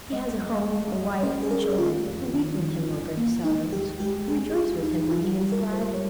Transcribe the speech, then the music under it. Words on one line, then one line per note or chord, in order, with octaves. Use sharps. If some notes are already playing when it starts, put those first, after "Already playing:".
He has a home, a wife, and children, who weep with him over his sorrows, who rejoice with him when he is glad.
G#3 D#5
F2
F5
G#3
F2 D#5
C#4 C5
G#4
C#4 A#4
G4
D#3 F4
F2
D#3
D#3
G1
A#3
G#3 D#4
D#2 G4
G#3 G4
G#3 G#4
D#2 F4
D#2 D#4
G1 F4
F4
G4
G3
A#4
G1
C5
G3 C#5